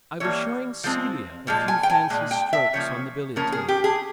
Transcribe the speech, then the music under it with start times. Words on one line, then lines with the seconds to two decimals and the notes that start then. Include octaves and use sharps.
I was showing Celia a few fancy strokes on the billiard table.
0.20 E3 G3 A#3 C#5
0.84 F3 G#3 C4
1.47 A#2 F3 G#3
1.68 G#5
1.83 G5
1.90 G#5
2.10 A#2 G#3
2.31 G5
2.53 E5
2.73 C#3 F3 A#3 C#5
3.36 C#3 F3 A#3 C#4 A#4
3.52 G#4
3.69 G4
3.84 G#4